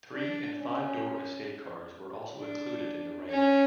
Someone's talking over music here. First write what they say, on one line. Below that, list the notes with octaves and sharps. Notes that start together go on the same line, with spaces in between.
Three- and five-door estate cars were also included in the range.
D4
C#4
D4
C#4